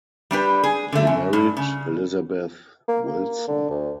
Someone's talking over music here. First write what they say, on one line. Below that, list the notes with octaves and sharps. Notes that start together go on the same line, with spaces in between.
He married Elizabeth Wilson.
G3 D4 G4 B4
G#4
D3 A3
F#2
G2
C#3
A#3
A#3
D3
D2